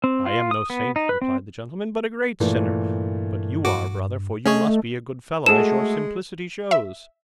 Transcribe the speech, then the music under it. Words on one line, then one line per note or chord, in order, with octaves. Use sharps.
"I am no saint," replied the gentleman, "but a great sinner; but you are, brother, for you must be a good fellow, as your simplicity shows."
C4
F4
D#6
B3
D#4
B4
C4
G2 A#2 E3 A3
F#4 D6
A3 C#4 G#4 C#5 D#5
G#3 A3 F#4 G#4 A4 E7
E5